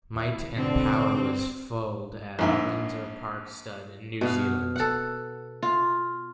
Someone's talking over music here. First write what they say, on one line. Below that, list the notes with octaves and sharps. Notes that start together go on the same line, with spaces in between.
Might and Power was foaled at Windsor Park Stud in New Zealand.
D#2 E4
B2 D3 C4 D4
A#1 G#2 E5
B2 B3 F5
A4 F#5
F4